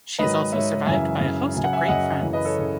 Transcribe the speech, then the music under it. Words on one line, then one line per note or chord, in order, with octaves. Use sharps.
She is also survived by a host of great friends.
G#2 D#3 F#3 B4 D#5
G#2 D#3 F#3 C#5 E5
F#2 C#3 E3 E5 G#5
F#2 C#3 E3
F#2 C#3 F#3 G#5
F#5
E5 G#5
F#2 C#3 F#3 D#5 F#5
F#2 C#3 E3
B4 D#5
A4 C#5
C#3 E3